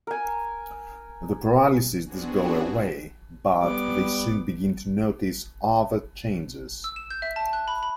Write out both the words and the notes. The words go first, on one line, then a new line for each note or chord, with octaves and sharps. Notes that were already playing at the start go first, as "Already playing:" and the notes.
The paralysis does go away, but they soon begin to notice other changes.
A#4 G#5
B3 C4 D4 F#4 G#4
G3 B3 D6
E6
E7
G6
E5
A5
F#6
B5
B5